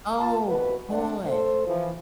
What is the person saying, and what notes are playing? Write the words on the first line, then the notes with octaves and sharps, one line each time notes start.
Oh, boy.
F4 A5
C2 B2 F#4 B4
C4 D4 F#5
A3 A4 C5
E3 F3